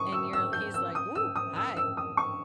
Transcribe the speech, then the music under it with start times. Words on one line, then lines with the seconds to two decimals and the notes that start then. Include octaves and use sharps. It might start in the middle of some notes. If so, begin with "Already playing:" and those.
and you're he's like, "Woo, hi."
Already playing: C#6 D#6
0.12 E6
0.33 E6
0.53 G6
0.74 E6
0.95 D#6
1.15 E6
1.36 D#6
1.56 E6
1.77 E6
1.97 D#6
2.17 C#6